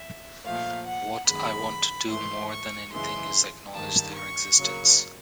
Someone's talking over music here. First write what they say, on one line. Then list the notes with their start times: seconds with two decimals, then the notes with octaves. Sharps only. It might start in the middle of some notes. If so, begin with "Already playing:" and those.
What I want to do more than anything is acknowledge their existence.
Already playing: E5
0.45 A#2 F3 A3 F5
0.86 F#5
1.27 F#2 D#3 G#3 B3 B5
2.08 G#2 E3 A3 C6
2.51 C#6
2.92 F#2 C#3 E3 G#3 C6
3.74 G2 D#3 G3 A#3 A5
4.15 C#6
4.57 C#3 F#3 A#3